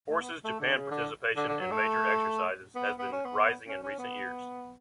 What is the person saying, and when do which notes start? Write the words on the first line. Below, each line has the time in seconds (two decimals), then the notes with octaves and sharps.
Forces Japan participation in major exercises has been rising in recent years.
0.10 A3
0.21 B3
0.44 A3
0.60 D3
0.75 C#3
0.91 D3
1.37 D3
1.48 D3
1.60 F#3
1.71 A3
2.75 B3
2.99 B3
3.12 C#4
3.25 B3
3.68 C#4
3.83 C#4
3.99 B3